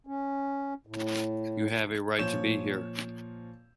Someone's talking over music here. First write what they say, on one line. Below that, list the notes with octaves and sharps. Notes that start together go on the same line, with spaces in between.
You have a right to be here.
C#4
A2
A#2 F3 C#5 G6 E7